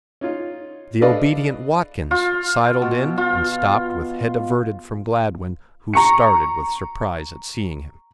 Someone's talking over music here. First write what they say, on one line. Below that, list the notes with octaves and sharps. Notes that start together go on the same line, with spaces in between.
The obedient Watkins sidled in and stopped with head averted from Gladwin, who started with surprise at seeing him.
C#4 D#4 F4
D4 A4 B4 D5 D#5 F5
F4
B2
F4
A#5 C#6 C#7